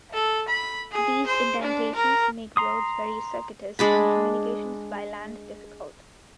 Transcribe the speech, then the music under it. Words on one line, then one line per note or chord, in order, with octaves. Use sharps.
These indentations make roads very circuitous and communications by land difficult.
A4
B5
G#4
C5
D4
A#4
A#5 C6 D#6
G#3 D4 B5